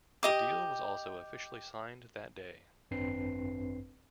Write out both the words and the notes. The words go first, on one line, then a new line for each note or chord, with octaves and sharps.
The deal was also officially signed that day.
G4 D#5 D6
G#1 F#2 C4 D4 B4 C7